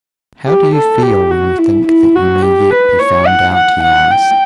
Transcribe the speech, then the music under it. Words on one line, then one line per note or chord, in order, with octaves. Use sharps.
"How do you feel when you think that you may yet be found out?" he asked.
G4
A4
G4
F#4
E4
E4
F#4
G4
B4
C#5
F#5
F#5
F#5
G5